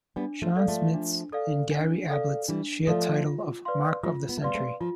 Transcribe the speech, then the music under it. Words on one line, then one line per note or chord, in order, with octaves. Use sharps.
Shaun Smith's and Gary Ablett's shared title of "Mark of the Century".
G3 B3 D4
F3 A3
A4 D5 F5
F3 A3
D4
A4 D5 F5
D4
A4 D5 F5
E3 G3 D4
F3 A3 A4 D5 F5
F4
B4 D5 F5 C6
F3 A3 F4
B3
A3
G3 B3 B4 D5 F5 C6
A3 C4
F3 F4